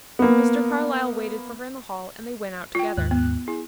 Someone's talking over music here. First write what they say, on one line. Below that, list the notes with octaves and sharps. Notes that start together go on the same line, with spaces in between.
Mr. Carlyle waited for her in the hall, and they went out together.
A#3 B3
F4 G5
D#2 G#2 F#6
B3
E4 G#4